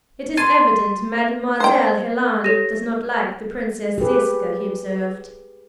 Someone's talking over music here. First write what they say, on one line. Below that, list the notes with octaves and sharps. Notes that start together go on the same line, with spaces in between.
"It is evident Mademoiselle Helen does not like the Princess Ziska," he observed.
C6 G#6 A6 D#7
C5 G5
G4 A4 C#5 A#6
G4 G#4 B4